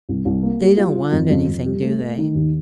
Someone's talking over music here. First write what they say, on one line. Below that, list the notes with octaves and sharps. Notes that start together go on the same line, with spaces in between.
"They don't want anything, do they?"
C2
C2
A#3
G3
F4
F4
F2
F2
F2
G3
A3
A3
D#3
D#2